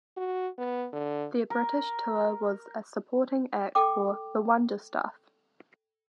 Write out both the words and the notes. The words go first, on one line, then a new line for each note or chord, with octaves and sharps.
Their British tour was as a supporting act for The Wonder Stuff.
F#4
B3
D3
A#4
A4 G5 D6